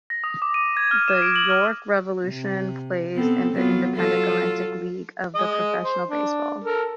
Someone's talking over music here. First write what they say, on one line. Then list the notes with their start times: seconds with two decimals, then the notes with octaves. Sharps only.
The York Revolution plays in the independent Atlantic League of Professional Baseball.
0.10 A#6
0.24 D#6
0.42 D6
0.54 D#7
0.77 G#6
0.91 F6
1.08 E7
1.22 D7
1.36 F#7
1.50 F6
2.25 C3
3.15 B3 C4 A4
3.53 F#3 B3 F4
3.96 F#3 F4 A4
5.35 G#4 D#5
5.85 C5
6.10 D4
6.64 A4 A#4